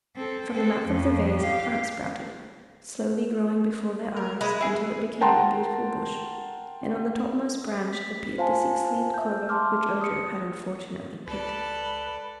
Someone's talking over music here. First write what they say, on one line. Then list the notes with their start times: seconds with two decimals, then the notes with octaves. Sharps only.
From the mouth of the vase a plant sprouted, slowly growing before their eyes until it became a beautiful bush, and on the topmost branch appeared the six-leaved clover which Ojo had unfortunately picked.
0.16 C4 A4
0.52 C4 A4
0.86 F2 F3
1.38 G4 F5
4.16 A#4
4.41 G#3 B4 E5
4.61 E4 G#4 G#5
5.21 A#4 F#5 G5 A5 A#5 C6
7.93 B6
8.38 F4 C5 F5 G#5 A5
9.14 E5 G6
9.49 A5 C6 D6 F6
10.01 D#6 C#7
11.27 C#2 A4 B4 D5